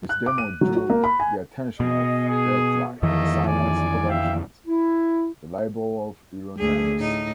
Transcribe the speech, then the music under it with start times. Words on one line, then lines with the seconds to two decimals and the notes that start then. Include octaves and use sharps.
This demo drew the attention of Deathlike Silence Productions - the label of Euronymous.
0.09 F#6
0.26 D6
0.38 D#7
0.61 F#3
0.76 F#4
0.90 A#3
1.04 B5
1.20 G#5
1.80 B2 G#4 D#5
2.30 G#4
3.03 F2 D#3 E3 A3 A#3 D#5
3.46 D5 G#5
4.09 E5 F5 G5
4.66 E4
6.58 D2 G#4
6.99 A2 D#4